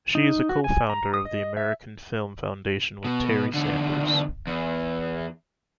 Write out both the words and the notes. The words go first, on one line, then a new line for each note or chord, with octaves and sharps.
She is a co-founder of the American Film Foundation with Terry Sanders.
D#4
F#4
G#5
A#5
D#6
D#5
E5
B2
E2 D3
E2